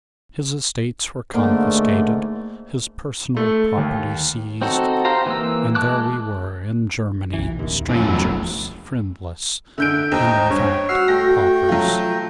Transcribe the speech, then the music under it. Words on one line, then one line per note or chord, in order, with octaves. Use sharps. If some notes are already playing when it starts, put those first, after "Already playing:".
His estates were confiscated, his personal property seized, and there we were, in Germany, strangers, friendless, and in fact paupers.
G#2 D3 A3 A#3
A3
D#2
C4 D#4 F#4 A4
G4 C5 F5 A#5
E3 A#3 E6
G#3 A5 D6 F#6
B1 E3
D1 D#2
F#2 A2 E3 F3
E2 B2 F#3
D#1 A#1
D3 E5 G6 D7
D#2 D#4 C5 G5
G2 C#5
F#4 F#5 E6 F6 C7
A3 G5 A#6
F3 F#3 F4